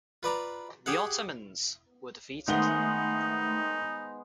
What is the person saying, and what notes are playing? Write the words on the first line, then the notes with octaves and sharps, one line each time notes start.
The Ottomans were defeated.
F4 B4 D5 A#5
G4 G#4 F5 F#5
D#3 G#3 A3 B3 D#4 C5 F#5 G7